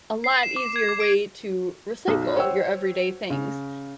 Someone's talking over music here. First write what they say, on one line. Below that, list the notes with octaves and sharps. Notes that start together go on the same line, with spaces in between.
a lot easier way to recycle your everyday things,
C7
E7
D6
G#6
D6
D7
B1
C5 C#5 F#5 G5 E6
C#3